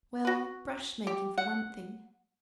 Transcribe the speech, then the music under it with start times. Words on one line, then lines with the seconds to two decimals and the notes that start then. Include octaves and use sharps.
'Well, brush-making for one thing.'
0.25 F#4 B4
1.07 G4
1.38 F#5